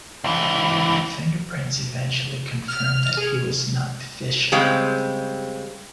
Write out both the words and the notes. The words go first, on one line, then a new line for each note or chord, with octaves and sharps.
Fingerprints eventually confirmed that he was not Fisher.
C#2 E3
F6
F6
G#4
C#3 G3 G#3 C4